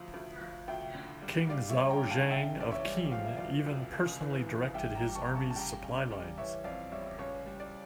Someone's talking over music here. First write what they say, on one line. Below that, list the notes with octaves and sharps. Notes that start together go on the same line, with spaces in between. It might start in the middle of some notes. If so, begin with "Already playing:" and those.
King Zhaoxiang of Qin even personally directed his army's supply lines.
Already playing: D2 F3
D2
F3
D2 E5 G5
D3
G3
G3 D5 F5
C#5 E5
G3
G5 A#5
D3
F5 A5
C#3 E5 G5
E2 D5
C#5 E5
G3
F3 F5
E5
D2 D5 F5
D2
C#2
E3
E3
G3 E5 G5
G5 A#5
G3
D6
A5 C#6
C#3 A#5
A5 C#6
A5
G3 G5 A#5
C#3
D5
G3
E3 C#5 E5
F2 D5 F5
G3 C#5 E5
C#2 C#5
G3
D5